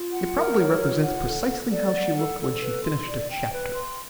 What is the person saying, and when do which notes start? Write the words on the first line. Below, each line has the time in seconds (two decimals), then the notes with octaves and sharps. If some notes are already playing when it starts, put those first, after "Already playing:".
It probably represents precisely how she looked when she finished a chapter.
Already playing: F4
0.12 F#5
0.36 A#4
0.58 C#5
0.81 F4
1.03 F#5
1.26 A4
1.49 A4
1.71 D5
1.94 F#5
2.17 A4
2.39 A4
2.61 B4
2.84 C6
3.07 D5
3.30 G5
3.52 B4
3.75 C6